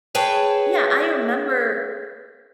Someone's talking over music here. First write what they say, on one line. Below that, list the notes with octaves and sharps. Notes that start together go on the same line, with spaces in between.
Yeah. I remember
G#4 B4 C#5 G5 A5